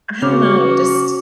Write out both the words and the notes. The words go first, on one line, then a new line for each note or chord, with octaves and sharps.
I don't know, we just
C#3 C#4 F#4 D6 F6